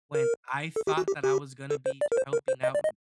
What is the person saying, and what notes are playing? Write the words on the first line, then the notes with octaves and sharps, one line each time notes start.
when I thought that I was gonna be helping out,
A#4
A4
G4
F#4
G4
G4
A4
C5
D5
A#4
C5
A#4
C5
D#5
D5
D#5